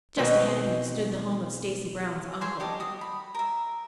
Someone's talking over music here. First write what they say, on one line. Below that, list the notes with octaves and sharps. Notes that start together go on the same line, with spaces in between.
Just ahead of him stood the home of Stacy Brown's uncle.
B2 D#3 C4
G#4 C5 C#5 C6
G4 A4 D#5
F#4 D#6
B5
A#4 E5